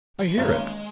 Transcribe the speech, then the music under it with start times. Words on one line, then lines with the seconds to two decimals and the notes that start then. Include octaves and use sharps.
I hear it.
0.20 F3
0.29 G3
0.37 G1 G2 D#3 G#3 A#3 C#4